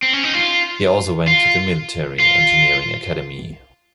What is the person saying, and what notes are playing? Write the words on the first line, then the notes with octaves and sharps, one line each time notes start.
He also went to the military Engineering Academy.
C4
C#4
D#4
F4
F4
F4